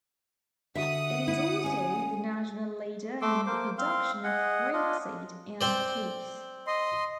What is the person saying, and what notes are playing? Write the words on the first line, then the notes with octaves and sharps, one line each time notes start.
It is also the national leader in the production of rapeseed and peas.
D3 F#4 E5 F#5 D#6
E4
C#4 C#5 G#5
A3 C6 D6 E6
A#3 C5 D6
C4 F5 C6
G#4 D#5 F#5
D4 F4 D#5
C4 C5 D5
D#5 C6